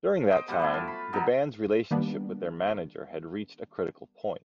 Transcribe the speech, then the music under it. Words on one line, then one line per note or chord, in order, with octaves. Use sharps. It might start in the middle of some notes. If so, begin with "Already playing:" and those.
During that time, the band's relationship with their manager had reached a critical point.
C5 D#5 G5
B2 G3 C5 F#5
G3 A3 E4
F4
B5
B2 F#3 D#4 A4
D#3 G3 A#3 B3 D4